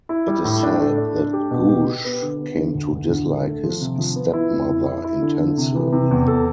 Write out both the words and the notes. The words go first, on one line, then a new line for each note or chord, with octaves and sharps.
It is said that Googe 'came to dislike his stepmother intensely'.
E4
G3
A2
D4
A3
D4
D4
G4
B2
G4
G4
B3
D3
B3
D3
D2
D2
D2
D3
A3
F3
C3
F3
B3
E4
F2
E4
E4
E4
D3
D3
C3
E3
C3
E2
A4